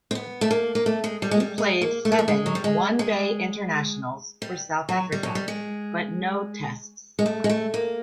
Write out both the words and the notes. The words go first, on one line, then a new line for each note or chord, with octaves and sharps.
He played seven One Day Internationals for South Africa but no Tests.
C4
B3
A3
A#3
A#3
A3
G#3
G3
G#3
G3
G#3
A#3
A3
A#3
A3
G#3
F#3
G3
G#3
G#3
G3
F#3
G3
F#3
G3
G#3
G#3
A3
G#3
A3
A#3